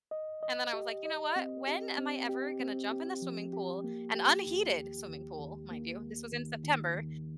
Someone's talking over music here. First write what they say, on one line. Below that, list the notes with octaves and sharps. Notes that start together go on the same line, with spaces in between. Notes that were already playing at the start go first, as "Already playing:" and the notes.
and then I was, like, "You know what, when am I ever gonna jump in the swimming pool," an unheated swimming pool mind you this was in September
D#5
D#5
G4
D#5
C4
G4
C4
G4
C4
G4
F3
G4
A#3
G4
D#2
D#2
D#2
D#2
A#3
D#2
D#3
D#3
D#2